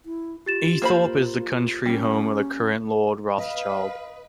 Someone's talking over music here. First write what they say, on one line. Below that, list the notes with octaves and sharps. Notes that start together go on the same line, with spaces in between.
Eythrope is the country home of the current Lord Rothschild.
E4
F4 G4 A6 E7
A#3 C5 B5
G3 A#3 C#4
B4 D#5 F5